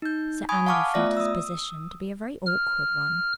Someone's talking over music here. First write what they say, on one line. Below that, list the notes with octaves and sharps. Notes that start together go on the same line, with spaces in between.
Sir Andrew felt his position to be a very awkward one.
D#4 G6
G#5 B5 C#6 D#6 G#6
F5 F#5 A5 C#6 D6 F6
A3 B3 F4 D5 E5 A#6
D#6 E6
F6